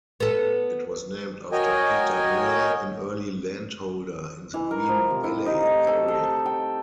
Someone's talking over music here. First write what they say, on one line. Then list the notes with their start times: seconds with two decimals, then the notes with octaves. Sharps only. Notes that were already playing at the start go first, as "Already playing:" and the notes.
It was named after Peter Miller, an early landholder in the Green Valley area.
0.20 B3 A4
1.52 F#4 A#4 C#5 D#5 G5 G#5
4.54 E3
4.71 A#4
4.89 F3
5.10 C3
5.24 E4
5.46 D#4
5.63 A3
5.87 A4
6.08 A4
6.46 G5